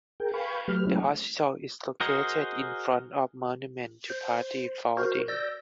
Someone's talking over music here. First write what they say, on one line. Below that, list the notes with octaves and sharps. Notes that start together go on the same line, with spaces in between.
The hospital is located in front of Monument to Party Founding.
G#4 A#4 G5
B4 F5 G5 G#5 B5 C#6
F#3 A3 G4 B4 F6
F#3 G#3 A3 C#4 E4
F#4 G#4 A#4 C5 D#5
C5
F#4 A#4 C5
D5 E6 G6 A#6